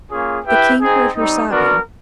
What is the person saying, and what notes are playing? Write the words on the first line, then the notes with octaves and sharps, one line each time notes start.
The king heard her sobbing.
A#3 C#4 F4 G#4
E4 G4 B4 E5 G5
C4 D#4 G#4
G3 C4 D#4
B3 D4 F#4 A#4